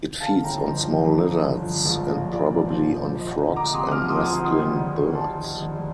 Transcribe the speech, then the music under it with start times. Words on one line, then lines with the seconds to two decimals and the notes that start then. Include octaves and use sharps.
It feeds on small lizards and probably on frogs and nestling birds.
0.20 D3 F5 A5
0.44 G1 G5 A#5
0.68 F3 C5 D#5
0.91 F2
1.14 D3
1.38 G1
1.62 F3
1.85 A#1
2.09 A#1
2.33 A#2 D5
2.56 F3
2.68 C5
2.79 A#1
3.03 F3 C5
3.21 C5 D#5
3.27 D2
3.50 D2
3.56 A#5 D6
3.73 C3 C6 D#6
3.91 D6 F6
3.97 F3
4.09 C6 D#6
4.20 D2
4.27 C6 D#6
4.44 D#3 C6 D#6
4.68 F1
4.92 F1
5.15 D#2 A5 C6
5.39 D#3
5.62 F1